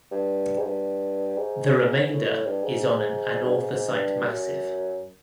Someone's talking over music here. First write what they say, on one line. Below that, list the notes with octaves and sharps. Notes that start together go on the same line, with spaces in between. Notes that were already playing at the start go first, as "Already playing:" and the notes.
The remainder is on an anorthosite massif.
G2
G#2
G2
G#2
G#2
A2
G2
G#2
G2
G#2
G#2
G2
F#2